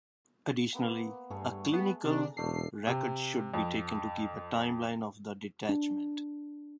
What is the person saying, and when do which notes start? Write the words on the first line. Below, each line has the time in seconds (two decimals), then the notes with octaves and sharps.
Additionally, a clinical record should be taken to keep a timeline of the detachment.
0.74 A#3 B3
1.30 G2 A3 G#4 C#5
1.73 B3
2.04 C3 D4 A#5
2.37 E1 A3 D4 A4 C7
2.87 C3
3.54 F2
5.69 D4